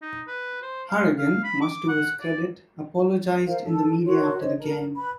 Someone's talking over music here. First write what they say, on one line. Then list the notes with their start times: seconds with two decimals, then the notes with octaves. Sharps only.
Harrigan, much to his credit, apologised in the media after the game.
0.02 D#4
0.27 B4
0.62 C5
0.90 F5
1.18 F5
1.44 B5
1.61 D6
1.89 F#5
2.21 D5
3.46 A#4 C5 F5
3.63 A4
4.06 F#4 A#4 C#5 C6
4.38 C5 C#5 D#5
4.58 D4 A#4
4.95 B4 B5